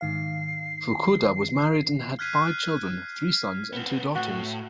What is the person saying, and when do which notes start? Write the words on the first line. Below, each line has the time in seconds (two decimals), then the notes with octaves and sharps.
Fukuda was married and had five children: three sons and two daughters.
0.01 G#2 D#3 F5 C7
2.19 F6 F#6 G#6 B6 C7 D#7
3.73 B3 C4
4.15 A2 F#4